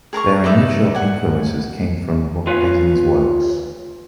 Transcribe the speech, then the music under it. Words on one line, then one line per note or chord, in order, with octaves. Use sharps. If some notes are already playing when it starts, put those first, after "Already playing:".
Their initial influences came from Walt Disney’s works.
G#4 A#4 A5 C#6
D#4 B4 D5 E5
F#5 G#5
F4 B4 C#5 F5 G#5